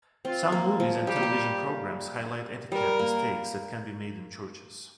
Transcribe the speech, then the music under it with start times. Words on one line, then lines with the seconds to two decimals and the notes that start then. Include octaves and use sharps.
Some movies and television programs highlight etiquette mistakes that can be made in churches.
0.25 C4 F4
0.52 A#3
0.80 F3
1.07 G3 G4
1.16 A#3
1.23 G3
2.72 G3 A#4
2.99 A#3